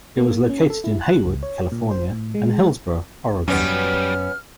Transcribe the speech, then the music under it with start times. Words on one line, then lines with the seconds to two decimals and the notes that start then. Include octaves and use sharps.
It was located in Hayward, California, and Hillsboro, Oregon.
0.17 A#3
0.49 C#4
0.70 A4
0.84 E4
1.01 F#6
1.26 C#2
1.43 C#5
1.72 A#2
1.91 C5
2.12 A2
2.35 G#3
3.48 F#2 F#3 G3 B3 C#4 F6